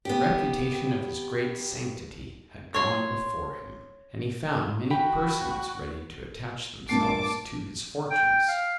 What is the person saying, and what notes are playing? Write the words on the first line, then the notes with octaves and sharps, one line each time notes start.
The reputation of his great sanctity had gone before him; and he found many persons ready to attach themselves to his fortunes.
B3 G4
C#5 C6
F#4 G5 B5
G2 A#2 A5 D6 C7
G5
F5